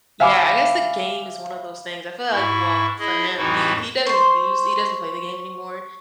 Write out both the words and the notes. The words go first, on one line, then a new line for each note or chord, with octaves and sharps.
Yeah, I guess the game is one of those things, I feel, like, well, for him, he he doesn't use he doesn't play the game anymore.
E5 F5 G#5 B5 D6
G#2 E4 C#6
E4 G#4 D#5
F2 A2 E3 D#4 E4 F#4
C5 C6 C#6